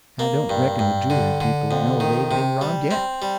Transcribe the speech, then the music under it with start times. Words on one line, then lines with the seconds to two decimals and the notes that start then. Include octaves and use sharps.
I don't reckon the julery people know they've been robbed yet.
0.19 A#3
0.50 G2
0.79 G2
1.10 D3
1.41 D3
1.71 F2
2.00 D#3
2.31 C3
2.61 G3
2.91 C4
3.22 G3